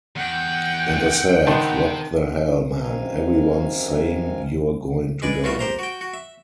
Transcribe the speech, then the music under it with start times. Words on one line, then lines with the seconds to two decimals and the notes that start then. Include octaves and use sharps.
And I said, what the hell, man, everyone's saying you're going to die.
0.16 E2 F#5 G5
1.47 C3 D#3 B3 A5 C6
2.81 F#2 C3 D#3 A#4 F5 G#5
5.22 G#3 B4 D5
5.44 A1 A3 B3 F4 F#4 E5
5.59 G4 C5 A#5
5.79 F#4 G5
6.01 F#4
6.14 E5